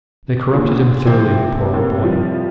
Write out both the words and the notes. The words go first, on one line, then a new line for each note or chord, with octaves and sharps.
They corrupted him thoroughly, the poor old boy.
A#2 D3
C3 F3
A2 A#3
F3 G3